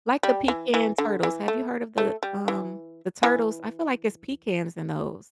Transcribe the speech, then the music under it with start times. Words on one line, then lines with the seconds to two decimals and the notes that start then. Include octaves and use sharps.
like the pecan turtles, have you heard of the, um, the Turtles? I feel like it's pecans in those.
0.23 G3
0.48 E3
0.74 E3
0.98 D3
1.23 E3
1.48 A3
1.98 A3
2.23 G3
2.48 E3
3.23 E3